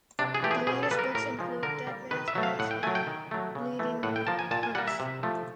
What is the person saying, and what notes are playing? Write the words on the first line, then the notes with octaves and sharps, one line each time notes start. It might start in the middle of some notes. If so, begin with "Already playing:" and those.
The latest books include "Dead Man's Bones" and "Bleeding Hearts".
C3 D4
G#4
E3 A3 G4
G#4
B2 G#4
A4
G3 A#3 B4
A#4
A2 A#4
F3 G#3
D3 A#4
G3 A#3
D#3 B4
E5
F#3 A3
F5
A2 F#5
G5
F#3 A3 G#5
G5
D#3
F#3 A3
C#3
E3 A3
A2 F#5
G5
F3 A#3 A5
G#5
A#2 A5
G#5
G3 A#3 F#5
E5
C3
F3 A3